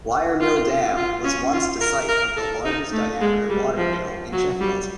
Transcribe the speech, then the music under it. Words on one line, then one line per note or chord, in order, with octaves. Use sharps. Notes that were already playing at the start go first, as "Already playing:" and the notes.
Wiremill Dam was once the site of the largest diameter water-wheel in Sheffield.
F4
F4
C#4
F4
A#4
A#4
A4
D#4
A3
G#3
G3
F3
F#3
G3